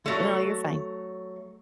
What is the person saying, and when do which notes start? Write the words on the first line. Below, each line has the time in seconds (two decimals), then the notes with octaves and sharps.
No, you're fine.
0.06 F#3 A3